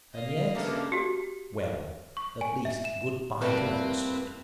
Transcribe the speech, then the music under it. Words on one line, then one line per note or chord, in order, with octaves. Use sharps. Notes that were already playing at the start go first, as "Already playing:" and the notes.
And yet--well, at least, good-bye to Oxford!
D#5 F5
G2 C#3 A3 A#3 F#5
F#4 G4
C#6
G#5
E5
E7
A2 G3 A3 A#3 C4 B4